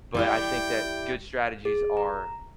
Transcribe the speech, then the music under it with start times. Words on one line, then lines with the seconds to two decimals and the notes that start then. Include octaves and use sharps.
but I think that good strategies are,
0.15 G3 E4 G4 G5
1.65 G#4
1.97 A#5